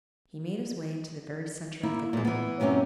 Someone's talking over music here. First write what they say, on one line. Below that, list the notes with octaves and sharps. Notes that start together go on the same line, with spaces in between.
He made his way into the very centre of the group.
A#3 E4
A#2 G#3
E3 B3
F#2 C3 A#3 C#4 G4